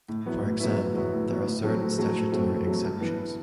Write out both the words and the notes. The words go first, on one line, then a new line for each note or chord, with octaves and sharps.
For example, there are certain statutory exceptions.
A2
F#3 B3 E4
A2
F#3 B3 E4
A2
F#3 B3 E4
A2
F#3 B3 E4
A2
F#3 A3 C4
A2
F#3 A3 C4
A2
F#3 A3 C4
A2
F#3 A3 C4
G2
E3 B3